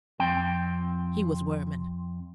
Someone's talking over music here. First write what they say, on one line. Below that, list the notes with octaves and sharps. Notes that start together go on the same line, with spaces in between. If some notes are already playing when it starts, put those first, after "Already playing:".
He was wermin!
F2 C4 G5